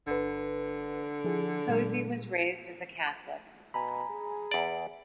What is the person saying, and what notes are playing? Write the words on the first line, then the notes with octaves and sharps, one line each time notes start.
Posey was raised as a Catholic.
G1 D3 B4
F3 E4 G#4
A#2 F#3 G#3
B2 G#5 A#5 B5
G#4
E2 D5